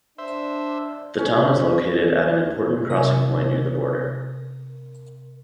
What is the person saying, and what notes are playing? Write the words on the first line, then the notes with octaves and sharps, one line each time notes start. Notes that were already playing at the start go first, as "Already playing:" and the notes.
The town is located at an important crossing point near the border.
D4 C5 E5
C#4
C3 A#4